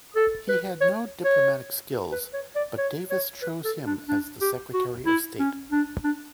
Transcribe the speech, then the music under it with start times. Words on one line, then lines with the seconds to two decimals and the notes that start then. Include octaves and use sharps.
He had no diplomatic skills but Davis chose him as the Secretary of State.
0.16 A4
0.48 B4
0.81 C#5
1.25 C#5
2.12 B4
2.33 C#5
2.55 D5
2.78 C#5
3.10 C#5
3.42 B4
3.64 A4
3.86 D4
4.08 D4
4.41 G4
4.73 F#4
5.06 E4
5.39 C#4
5.71 D4
6.04 D4